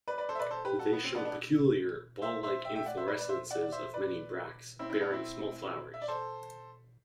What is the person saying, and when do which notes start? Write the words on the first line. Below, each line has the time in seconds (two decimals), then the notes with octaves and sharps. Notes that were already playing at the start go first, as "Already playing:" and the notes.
They show peculiar, ball-like inflorescences of many bracts, bearing small flowers.
0.08 B4 D5
0.18 B4 D5
0.29 A4 C5
0.35 E5
0.39 B4 D5
0.50 A4 C5
0.65 G4 B4
0.79 F#4 A4
0.93 B3
1.04 C4
1.15 B3 D4
1.25 B3 D4
2.22 C5 E5
2.43 C5 E5
2.65 E5 G5
2.75 E5 G5
2.86 D5 F#5
2.97 C5 E5
3.08 B4 D5
3.18 B4 D5
3.29 C5 E5
3.51 D5 F#5
3.62 D5
3.72 C5 E5
3.94 B4 D5
4.79 C4 E4
4.90 C4 E4
5.01 B3 D4
5.11 C4 E4
5.94 E5
6.02 D5
6.08 A4 C5